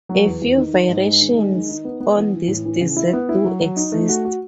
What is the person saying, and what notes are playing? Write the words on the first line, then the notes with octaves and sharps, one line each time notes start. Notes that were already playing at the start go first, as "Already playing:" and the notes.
A few variations on this dessert do exist.
F#3
E2
E2
D#3
D#3
G#2
G#3
D#3
G#3
D#3
D#4
B3
B3
E3
E3
A2
E3
C#3
E4
B3
E4
F#3
F#3
D#4
A3
F#4
F#4